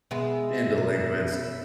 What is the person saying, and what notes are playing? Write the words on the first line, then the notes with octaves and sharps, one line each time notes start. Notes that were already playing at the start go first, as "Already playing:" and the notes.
being delinquents.
B2 G#3 B3 E5
C#4 E5 B5